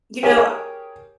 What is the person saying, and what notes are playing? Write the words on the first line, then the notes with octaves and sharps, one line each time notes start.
you know, I
G4 G#4 A#4 C#5 G#5